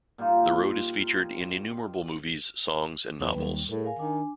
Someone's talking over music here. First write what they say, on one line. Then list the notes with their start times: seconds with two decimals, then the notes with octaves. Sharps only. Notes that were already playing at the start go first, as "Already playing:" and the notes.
The road is featured in innumerable movies, songs, and novels.
0.18 A#2 G3 D#4 F4
3.21 E2 F#3 B3 B4
3.34 D#2 G3
3.69 A2 G#4 A#4
3.84 A#4 F5 G#5
3.99 D#3 D4 G#5 D6